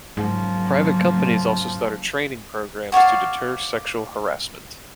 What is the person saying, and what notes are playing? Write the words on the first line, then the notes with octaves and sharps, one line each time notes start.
Private companies also started training programs to deter sexual harassment.
G#2 C#3 F3 F#3 A#3
F#4 C#5 D5 F5